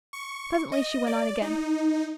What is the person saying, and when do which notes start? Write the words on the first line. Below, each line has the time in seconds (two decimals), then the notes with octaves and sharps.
Presently she went on again.
0.13 C#6
0.72 D#5
1.06 D5
1.42 D#4